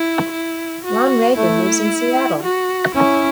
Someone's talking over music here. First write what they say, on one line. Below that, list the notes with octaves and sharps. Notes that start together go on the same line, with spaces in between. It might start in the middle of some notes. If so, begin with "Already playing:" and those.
Ron Reagan lives in Seattle.
Already playing: E4
E4
F#4
A3 E4
F#4
C#4 E4